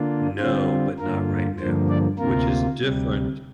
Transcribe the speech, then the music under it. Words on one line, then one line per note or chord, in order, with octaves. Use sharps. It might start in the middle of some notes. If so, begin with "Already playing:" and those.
No, but not right now, which is different.
Already playing: D3 A#3 D4 F4
D3 G3 C4 F4 C5
G2 D3 A#3 F4 A#4
G2 D3 F3 A#3 C5
D5
D2 C3 A#3 F4 A#4
D2 C3 G3